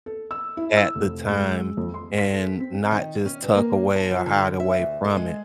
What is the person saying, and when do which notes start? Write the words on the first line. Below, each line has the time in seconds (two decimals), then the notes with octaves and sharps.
at the time and not just tuck away or hide away from it.
0.06 A4
0.31 E6
0.57 E4
0.77 E6
0.95 F1
1.30 G#3
1.77 F2
1.94 C6
2.18 B6
2.33 A4
2.60 C4
2.92 D#3
3.25 C#4
3.42 G2
3.55 A#3
3.96 A5
4.11 F3
4.26 D3
4.60 E5
4.79 D2
5.04 A4
5.17 G#3